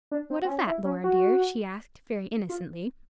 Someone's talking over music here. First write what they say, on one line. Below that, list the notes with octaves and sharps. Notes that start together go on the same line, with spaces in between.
"What of that, Laura dear?" she asked, very innocently.
D4
C4
C4
C#4
E4
C#4
F#4
F4